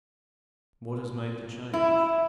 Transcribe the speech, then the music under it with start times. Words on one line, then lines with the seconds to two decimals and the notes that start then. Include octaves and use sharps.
What has made the change?
1.73 E4